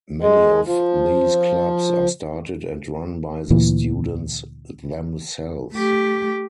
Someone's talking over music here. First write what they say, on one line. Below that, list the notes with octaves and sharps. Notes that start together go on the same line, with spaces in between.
Many of these clubs are started and run by the students themselves.
G#3
F3
D2 A#2 E3
A3 G4